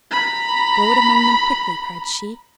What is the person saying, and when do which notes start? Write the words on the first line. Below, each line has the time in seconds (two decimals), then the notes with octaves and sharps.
"Throw it among them quickly!" cried she.
0.11 A#5 B5